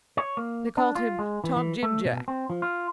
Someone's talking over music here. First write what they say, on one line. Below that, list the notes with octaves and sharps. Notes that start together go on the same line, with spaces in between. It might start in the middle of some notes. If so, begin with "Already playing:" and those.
They called him Tom-Jim-Jack.
C#5
A#3
D4
F4
G#3
E3
E3
A3
B2
C4
F3
F4